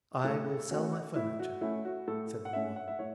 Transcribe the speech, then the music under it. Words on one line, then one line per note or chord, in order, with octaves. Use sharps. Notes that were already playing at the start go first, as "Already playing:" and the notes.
"I will sell my furniture," said the warden.
A2 A4
A3 C#4 F#4
A2 E4
F#4
A3 C#4 E4
F#4
A2 A4
F#5
A3 C#4 E5
F#5
E5
A2 C#5